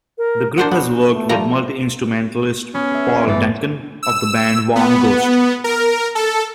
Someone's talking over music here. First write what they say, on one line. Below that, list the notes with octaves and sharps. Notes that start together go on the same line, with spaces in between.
The group has worked with multi-instrumentalist Paul Duncan of the band "Warm Ghost".
A#4
D4 A#4 C5 F#5
B3 F#4
A3
F3 G3 A#5
B3 C#4
G#4 E5
G#4
G1 E3 A6
E6
B3
A#4
A4